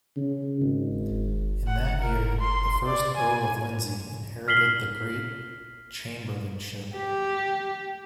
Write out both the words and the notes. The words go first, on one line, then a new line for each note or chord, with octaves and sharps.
In that year, the first Earl of Lindsey inherited the Great Chamberlainship.
C#3
G#1
F#5
A#4
C6
D5
G#5
F6 B6 C7 F#7 G7
G4